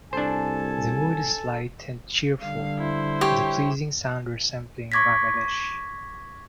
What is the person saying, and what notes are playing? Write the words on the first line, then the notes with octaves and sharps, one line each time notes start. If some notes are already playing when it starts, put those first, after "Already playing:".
The mood is light and cheerful, with a pleasing sound resembling Raga Desh.
C2 D4 A4 C5 G#5
D3 G3 F5
E4 C5
G4 C#5
C#6 D6 G#6 A#6 B6